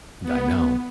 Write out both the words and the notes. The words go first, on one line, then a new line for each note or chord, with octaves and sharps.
D I know.
B3